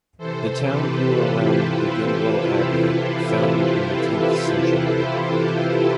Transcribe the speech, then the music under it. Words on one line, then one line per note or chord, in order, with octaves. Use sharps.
The town grew around the Gembloux Abbey, founded in the tenth century.
C3 E3 A4 C5
G4 B4
F4 A4
E4 G4
G4 B4
F4 A4
E4 G4
F4 A4